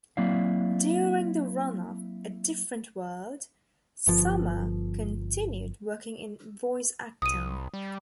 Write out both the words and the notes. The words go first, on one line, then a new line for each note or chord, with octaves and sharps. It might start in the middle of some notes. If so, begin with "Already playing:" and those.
During the run of "A Different World", Summer continued working in voice acting.
F#3 A#3 C4 E4 D5 F5
G1 F3
C2 D#6 D#7
G3